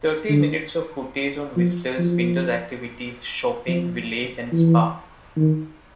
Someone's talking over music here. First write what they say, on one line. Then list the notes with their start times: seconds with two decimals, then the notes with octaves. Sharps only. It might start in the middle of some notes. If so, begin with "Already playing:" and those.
Thirty minutes of footage on Whistler's winter activities, shopping, Village and spa.
0.29 D3
1.56 F3
1.99 F3
3.68 F3
4.52 E3
5.37 D#3